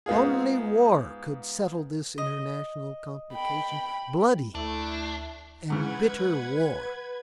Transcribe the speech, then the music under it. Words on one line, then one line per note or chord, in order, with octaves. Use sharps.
Only war could settle this international complication--bloody and bitter war.
G#2 B3 F4 G#4
D#5
G5 B5
D2 A3 D4 E4
G#2 C#3 E3 B4 F#5 G#6